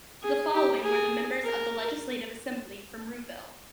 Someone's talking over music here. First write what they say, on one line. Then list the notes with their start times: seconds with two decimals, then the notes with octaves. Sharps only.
The following were the members of the Legislative Assembly from Rouville.
0.23 G#4
0.53 G4
0.83 G#4
1.43 A#4